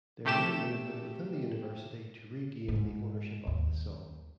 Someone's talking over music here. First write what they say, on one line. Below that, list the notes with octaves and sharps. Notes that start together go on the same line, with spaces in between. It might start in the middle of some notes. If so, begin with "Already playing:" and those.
There is a movement within the university to regain the ownership of the song.
C3 A3 G4 E7
G#2
D#2